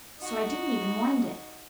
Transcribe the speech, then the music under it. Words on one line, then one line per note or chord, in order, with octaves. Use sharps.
So I didn't even wind it.
D#4 F#4